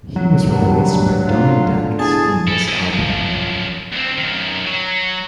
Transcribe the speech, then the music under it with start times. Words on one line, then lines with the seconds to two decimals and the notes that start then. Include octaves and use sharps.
He was replaced by Donnie Dacus on this album.
0.16 F#3
0.52 G2 F#3 A#4 F#5 A5
0.92 G#2 A3 D4
1.27 D3 F4
1.99 B3 D4 E4 G#4 A5
2.48 E4 A4
2.68 E4 D#5
2.93 F#2 F3
3.93 D2 C4
4.18 F#2 D#3
4.67 F#3